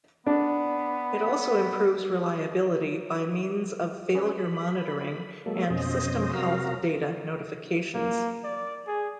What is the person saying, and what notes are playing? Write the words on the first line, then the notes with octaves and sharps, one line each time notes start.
It also improves reliability by means of failure monitoring and system health data notifications.
B3 D4
C#4 G#4 B4
B5
F#3 G#3 A#3 A4
F2 B2 C#4 C5 D#5
C3 F#3 F#4 A#4 F5 A#5
A#3
D5
G#4